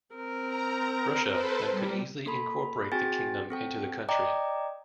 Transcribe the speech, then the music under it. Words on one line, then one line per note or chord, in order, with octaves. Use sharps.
Russia, then, could easily incorporate the kingdom into the country.
C4 A#4
A#5
A4 B4 C5
G3
A#3 A4 B5
C4 F#4 G#4 G5 G#5 A6
C4 A4 G5
D5 D#5 G5 A#5 D6